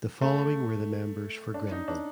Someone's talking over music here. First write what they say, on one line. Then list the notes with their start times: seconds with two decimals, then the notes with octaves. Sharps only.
The following were the members for Grenville.
0.21 A3
1.54 D4
1.72 D#4
1.88 D4